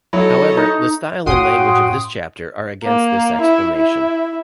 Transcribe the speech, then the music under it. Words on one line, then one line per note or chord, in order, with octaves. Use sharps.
However, the style and language of this chapter are against this explanation.
F#3 E4 A4 C#5 D#5
D#4
F#2 A2 C#4 F#4 F5 G5 C6 D#6
A#3
E4
E4